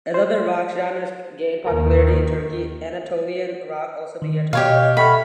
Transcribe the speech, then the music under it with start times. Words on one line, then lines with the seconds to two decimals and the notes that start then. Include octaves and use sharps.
As other rock genres gained popularity in Turkey, Anatolian rock also began to diversify.
0.14 C5
1.67 D#2 D#3 A#4
4.22 D#3
4.53 B2 G4 C#5 D#5 F5
4.97 A4 E5 F#5 B5 C#6 F6